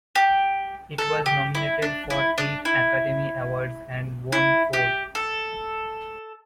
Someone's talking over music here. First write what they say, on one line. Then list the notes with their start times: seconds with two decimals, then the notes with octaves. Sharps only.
It was nominated for eight Academy Awards and won four.
0.15 G4
0.98 A4
1.26 G4
1.55 E4
1.82 D4
2.10 E4
2.38 D4
2.65 E4
4.32 E4
4.73 G4
5.15 A4